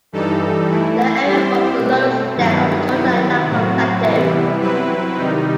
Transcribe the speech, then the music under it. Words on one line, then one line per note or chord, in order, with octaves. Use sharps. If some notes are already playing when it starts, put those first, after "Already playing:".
The area forms the lowest step of the Chota Nagpur Plateau.
G2 E3 G3 D#4 A4
E3 A3 E4
G3 C4 E4 G4 C5
B2 A3 C4
G2 D#3 F#3 B3 E4
C3 D#3 F#3 B3 E4
A2 F#3 C4 F#4
C3 E3 G3 B3 E4
F#3 C4 E4 B4
C3 D#3 G3 D#4